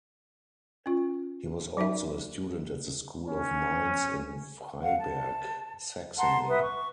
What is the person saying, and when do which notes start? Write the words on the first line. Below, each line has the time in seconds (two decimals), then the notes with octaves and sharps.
He was also a student at the School of Mines in Freiberg, Saxony.
0.86 C#4 F4
1.77 F#3 D#4 F#4 E5
3.28 C#4
4.83 F5 F#5
4.99 A5
6.18 F#5 A5 A#5 C6
6.48 B4 E5 F#5 D#6
6.61 C#6